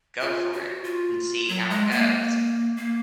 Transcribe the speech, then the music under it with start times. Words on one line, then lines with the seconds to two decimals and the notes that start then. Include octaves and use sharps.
go for it and see how it goes
0.21 F4
0.53 F#4
0.84 F4
1.48 F#3
1.70 G#3
1.91 A#3
2.77 A#3